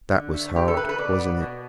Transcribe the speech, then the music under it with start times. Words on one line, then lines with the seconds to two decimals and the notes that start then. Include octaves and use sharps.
That was hard, wasn't it?
0.12 D3
0.34 A3
0.55 A3 G4
0.68 A4
0.77 A3 B4
0.89 B4
0.98 B2 D5
1.19 B3
1.41 B2